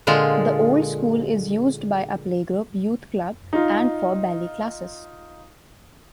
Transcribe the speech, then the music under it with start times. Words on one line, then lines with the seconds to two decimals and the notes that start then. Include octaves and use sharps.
The old school is used by a playgroup youth club and for ballet classes.
0.07 A#2 D3 G#3 F4
3.53 D#4 F4